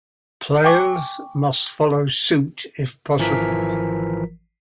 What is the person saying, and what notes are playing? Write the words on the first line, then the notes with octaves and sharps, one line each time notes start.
Players must follow suit if possible.
G5 G#5 C#6 D6
G#1 E3 F3 A#4 B6